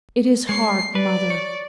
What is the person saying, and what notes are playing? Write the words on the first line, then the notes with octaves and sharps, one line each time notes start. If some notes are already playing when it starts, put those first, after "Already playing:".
It is hard, mother.'
G#3 C#5 C7
B4 D5
C#5